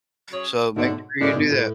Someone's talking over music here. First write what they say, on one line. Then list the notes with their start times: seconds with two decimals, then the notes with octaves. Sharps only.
So make sure you do that.
0.32 F#3 C#4 G#4 C#5
0.76 G#2 B2 D3 F#3 A3 D4 F#4
1.21 F#2 A2 C#3 E3 G#3 D4
1.36 G#2 B2
1.50 A2